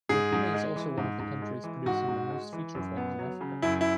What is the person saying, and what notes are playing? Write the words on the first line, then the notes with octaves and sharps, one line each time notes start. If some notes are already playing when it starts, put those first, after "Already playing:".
Burkina is also one of the countries producing the most feature films in Africa.
G#2 G#4
G#2
G#3
E3
G#2
G#2
G#3
E3
G#2 F#4
G#2
G#3
E3
F#2
B3
F#3
C#3
F#2 E4
E4